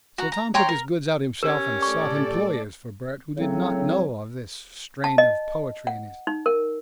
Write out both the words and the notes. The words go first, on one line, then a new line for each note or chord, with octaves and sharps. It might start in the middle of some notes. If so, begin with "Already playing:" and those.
So Tom took his goods out himself, and sought employers for Bert who did not know of this strain of poetry in his nature.
F#4 A#5
A#5
C#5 G5 A#5 C6
A#4
C#4 G4 A#4
A2 A4 D5 C#6
A2 C#3 F#3 C4 C#5
A5
D#5
F#5
D#4
A#4